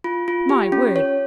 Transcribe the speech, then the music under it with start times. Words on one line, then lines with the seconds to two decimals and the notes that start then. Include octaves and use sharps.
My word!
0.04 F4
0.28 F4
0.49 G4
0.72 C#4
0.96 C#5